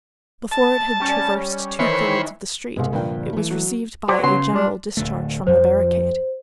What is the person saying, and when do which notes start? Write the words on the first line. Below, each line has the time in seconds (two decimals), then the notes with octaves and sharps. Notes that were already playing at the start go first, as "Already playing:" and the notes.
Before it had traversed two thirds of the street it was received by a general discharge from the barricade.
0.52 A5
1.00 G3 C#4
1.79 D#3 E3 C5 C#5 B5
2.76 C2 G2 B2 G3 G#3
2.93 G2 A#2 D3 F3 A#4 G5
3.33 E3 A3
3.51 F#3
4.08 F#3 G4 C5 D5
4.23 C#3 B3 C6
4.53 F3 G3 D4
4.97 D1 D3 A3
5.47 F2 F3 C5